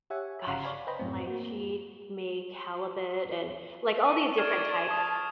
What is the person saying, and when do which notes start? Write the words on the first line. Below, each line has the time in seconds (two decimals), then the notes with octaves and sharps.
gosh, like, she'd make halibut, and, like, all these different types.
0.10 G4 C#5 E5 F#5 G#5
0.47 G1 C#3 F5 F#5 A#5 C7
0.64 C#5 D5 F5 G#5 B5
0.87 B4 C5 D#5 G5 A#5 B5
0.99 F#2 A2 C4
1.27 A#3 F#4
4.04 A4 C#6
4.37 D5 F6 G#6 E7
4.91 A5 D#6